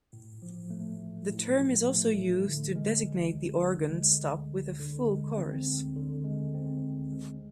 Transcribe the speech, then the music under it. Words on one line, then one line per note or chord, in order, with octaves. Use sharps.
The term is also used to designate the organ stop with a full chorus.
A2
F3
A3
A1
A2
F3
A3
A1
D3
G#3
D2
D2
D3
G#3
D2
D2
D3
G#3
C4
D2
D3
G#3
C4
D2
G#3